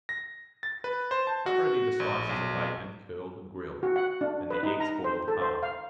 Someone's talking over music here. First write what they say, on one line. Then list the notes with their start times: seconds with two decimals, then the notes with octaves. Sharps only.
Have ready the slices of bacon curled and grilled, and the eggs boiled hard.
0.09 A#6
0.63 A6
0.84 B4
1.11 C5
1.27 A5
1.46 F#4
2.00 A#1
2.29 B1
3.83 F#4
3.96 F#5
4.21 D4
4.50 B4
4.63 D#4
4.80 A#5
5.04 C5
5.28 A4
5.42 C5
5.63 F5